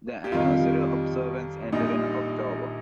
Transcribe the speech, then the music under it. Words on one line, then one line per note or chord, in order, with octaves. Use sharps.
The anniversary observance ended in October.
G4
F2 D#3 G3 F4
A#1 A#2 G3 D#4